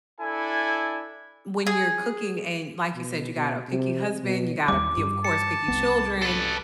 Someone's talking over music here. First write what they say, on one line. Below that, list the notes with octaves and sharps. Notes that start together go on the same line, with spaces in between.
when you're cooking and, like you said, you got a picky husband, you got a you of course, picky children.
D4 E4 A4 G#5
G#4
B2
B2
C3
B2
D#2 G3 D6
G2
A5 C#7
C2 B3
A4 B4